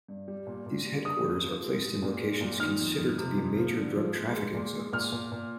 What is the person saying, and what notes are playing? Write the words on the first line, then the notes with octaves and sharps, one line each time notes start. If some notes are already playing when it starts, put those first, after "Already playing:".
These headquarters are placed in locations considered to be major drug trafficking zones.
G2
G3
A#2
A#2
G3
D3 D#6
F2
F3
G#3
G#3
A#2
G#3
A#2
D#3 F6
F2
F2
C3
F2
F3
D3
F3
G#3
G#3
A#2
G#3
A#2 F6
A#2
A#2